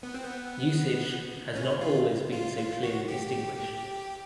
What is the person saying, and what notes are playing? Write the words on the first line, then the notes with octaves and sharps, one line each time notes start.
Usage has not always been so clearly distinguished.
B3
C4
B3
C#4
F4
F4
F4
F#4
G4